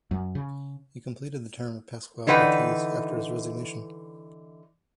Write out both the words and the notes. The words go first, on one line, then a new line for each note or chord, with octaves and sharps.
He completed the term of Pascual Ortiz after his resignation.
F#2
C#3
D3 E3 D#4 B4 F#5 G5